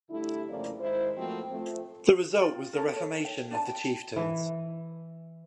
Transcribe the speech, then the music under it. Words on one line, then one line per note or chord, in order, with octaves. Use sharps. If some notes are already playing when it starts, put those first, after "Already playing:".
The result was the reformation of The Chieftains.
D3 G3 A3 E4
F2 C#3 A3 A#3 C4 D5
G#2 D#3 G#3 E4 C5
F3 A3 A#3 C4 F#4
F3 A3 C4
F4 G5
A4 A#4
C#5
G5
D4 D5 G#5 A5
G5
E3